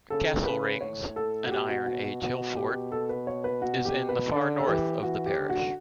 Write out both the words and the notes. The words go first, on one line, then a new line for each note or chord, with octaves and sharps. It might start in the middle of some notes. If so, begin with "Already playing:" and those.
Castle Rings, an Iron Age hillfort, is in the far north of the parish.
C#3 A4
C#3 B4
A2 C#5
A4
F#4
B2 G4
F#4
F#4
F#4
B2 F#4
G4
A4
B4
C#5
B4
F#4
G4
B4
D3 D5
A4
E3 G4
E3 F#4
G4
D3
F#4